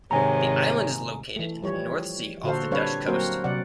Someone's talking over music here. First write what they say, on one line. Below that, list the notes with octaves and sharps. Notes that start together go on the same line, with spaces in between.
The island is located in the North Sea off the Dutch coast.
G#2 C3 D#3 C#5 G#5 A#5
E3 A3
F3 G3 C#5
A#2 D3 F#4 A4 C5 F5
G3 C4 D4 B4 C#5 F5
F#3 A#3 C4 F#4 A#4 C5
C3 F#3 D5 F#5